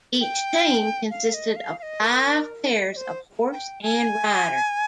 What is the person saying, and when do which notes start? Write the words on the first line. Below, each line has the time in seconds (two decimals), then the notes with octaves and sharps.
Each team consisted of five pairs of horse and rider.
0.21 G5
1.11 F5
1.34 D#5
1.56 F5
1.79 F5
1.83 D#5
2.01 A#4
2.92 D#5
2.96 C5
3.52 G5
3.82 G#5